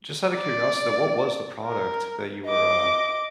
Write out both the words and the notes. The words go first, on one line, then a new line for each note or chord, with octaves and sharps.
just outta curiosity, what was the product that you were, uh,
D5
A#4
D#5 D6